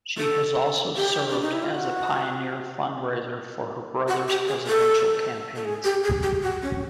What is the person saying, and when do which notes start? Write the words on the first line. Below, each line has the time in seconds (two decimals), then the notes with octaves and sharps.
She has also served as a pioneer fundraiser for her brother's presidential campaigns.
0.18 A4
0.96 G4
1.30 D4
1.41 D#4
1.52 E4
1.63 F4
1.74 F#4
4.08 F#4
4.28 G4
4.48 G#4
4.67 A4
5.56 A4
5.65 G#4
5.84 G4
6.04 G#4
6.23 G4
6.43 F#4
6.62 C#4